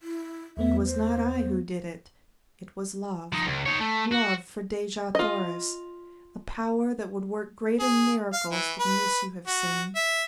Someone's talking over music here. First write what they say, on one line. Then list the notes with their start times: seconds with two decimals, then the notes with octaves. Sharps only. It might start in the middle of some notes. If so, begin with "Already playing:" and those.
"It was not I who did it, it was love, love for Dejah Thoris, a power that would work greater miracles than this you have seen."
0.02 E4
0.57 E2 A3 B3 E5
0.85 C5
3.33 F3 D#4
3.46 C#2
3.66 D#4 C#5
3.80 A3
4.12 F#4
5.15 F4 D#5
7.80 G#4
8.33 F5
8.52 E3
8.79 B4
9.47 F#4
9.96 E5